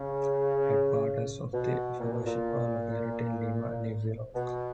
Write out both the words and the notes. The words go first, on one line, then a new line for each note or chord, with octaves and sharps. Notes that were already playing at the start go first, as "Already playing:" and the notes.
Headquarters of the fellowship are located in Lima, New York.
Already playing: C#3
B2
A#2
B2
A#2
B2